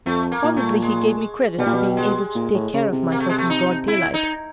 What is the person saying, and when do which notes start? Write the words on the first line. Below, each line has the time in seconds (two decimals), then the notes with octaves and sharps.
"Probably he gave me credit for being able to take care of myself in broad daylight."
0.06 F2 A3
0.32 A#3
0.44 A#2
0.57 A3
0.82 G#3
1.59 B2 G3
1.67 A#2
1.75 B2
1.97 G#3
2.35 A#2
2.54 A2
2.73 C#3
2.92 C3
3.12 A#3
3.20 A3
3.29 G#3
3.38 A3
3.50 D#4
3.88 E4
4.14 D#4